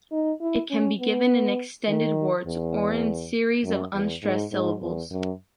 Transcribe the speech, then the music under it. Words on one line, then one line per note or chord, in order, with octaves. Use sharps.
It can be given in extended words or in series of unstressed syllables.
D#4
E4
C#4
B3
D#3
E2
F#2
E2
G#2
G#2
E2
F#2